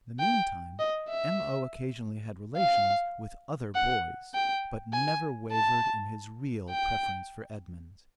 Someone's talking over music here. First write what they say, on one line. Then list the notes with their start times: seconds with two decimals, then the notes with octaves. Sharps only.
In the meantime M.O. occasionally had relations with other boys, but never wavered in his real preference for Edmund.
0.20 G5
0.79 D#5
1.09 E5
2.57 F5
3.75 F#5
4.34 G5
4.93 G#5
5.52 A5
6.70 G5